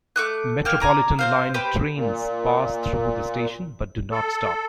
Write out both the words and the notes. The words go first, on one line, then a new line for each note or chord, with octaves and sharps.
Metropolitan line trains pass through the station, but do not stop.
A3 D6 F#6
A#3 G5 F6
G#5 A#5 D6
C4 C5 F5
G4 B4 C5
A#2
A4